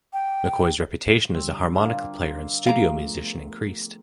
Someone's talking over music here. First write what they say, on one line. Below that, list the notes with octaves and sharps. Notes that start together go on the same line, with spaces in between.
McCoy's reputation as a harmonica player and studio musician increased.
G5
D3 G3 C4
A#3 C4 D4 F4
F3 A3 G#4 F5 A#5
B3